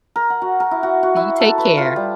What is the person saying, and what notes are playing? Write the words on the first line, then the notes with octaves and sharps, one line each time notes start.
So you take care.
A#4
F#5
F#4
A#4
E4
F#4
F#4
E4
A4
B4
F4
G3